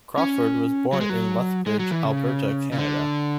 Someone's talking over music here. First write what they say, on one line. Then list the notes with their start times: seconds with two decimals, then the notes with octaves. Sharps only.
Crawford was born in Lethbridge, Alberta, Canada.
0.18 C#4
0.93 F#3
1.01 G#3
1.09 F#3
1.66 G#3
1.79 F#3
1.91 E3
2.04 C#3
2.72 C#3
2.78 D3